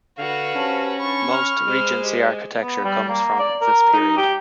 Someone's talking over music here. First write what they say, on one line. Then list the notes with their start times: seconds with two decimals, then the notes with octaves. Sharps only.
Most Regency architecture comes from this period.
0.18 D3 F#4 B4 F5
0.55 C#4 G4 C5 A5
0.99 D4 B5 C#6
1.33 F6
1.67 G#3 C5
2.03 G4 D#5
2.62 B3
2.84 G3
3.09 A#3
3.39 D5
3.61 A#4
3.93 D#4
4.17 G4